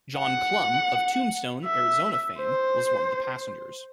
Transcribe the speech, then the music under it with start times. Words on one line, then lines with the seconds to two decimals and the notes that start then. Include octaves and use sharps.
John Clum, of Tombstone, Arizona fame was one of the passengers.
0.18 F#5
1.65 E5
2.39 C5